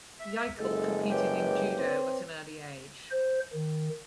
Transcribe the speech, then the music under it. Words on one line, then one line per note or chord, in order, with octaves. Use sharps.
Jaeckel competed in Judo at an early age.
E5
F#1 G#3 A4
G4 B4 C#5 G5 D6
C4
C5
D#3